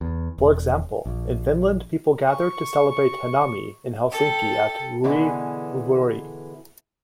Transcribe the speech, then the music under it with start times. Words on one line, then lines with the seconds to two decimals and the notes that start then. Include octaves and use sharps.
For example, in Finland people gather to celebrate hanami in Helsinki at Roihuvuori.
0.01 E2
0.38 E1
1.06 A#1
2.28 C#6
4.10 A4 G5
5.04 B2 D3 E3 G#3